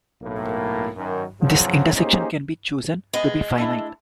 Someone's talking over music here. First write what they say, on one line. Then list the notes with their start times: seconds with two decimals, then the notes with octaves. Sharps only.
This intersection can be chosen to be finite.
0.22 B1 A2 A#3
0.97 F#2 D#3
1.42 E2 C#3 F3 F#3
1.96 A#3 C#4 D#4 G4 G#4 C5
3.13 G#3 B3 G#4 D#5
3.58 A3 D4 E4